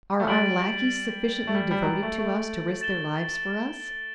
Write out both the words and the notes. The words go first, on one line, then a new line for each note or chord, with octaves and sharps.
Are our lackeys sufficiently devoted to us to risk their lives for us?
A3
G3 A6 D7 F#7
A3
G3
G3
F#3
G3
A3
A3
A6 E7 G7